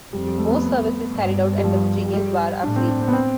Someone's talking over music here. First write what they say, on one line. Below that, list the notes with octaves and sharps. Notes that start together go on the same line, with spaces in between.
Most services carried out at the Genius Bar are free.
F2 G3
G3
A3
B3
G2
G3
F3
G3
A2 D4
C4
D4
C4
B3
C4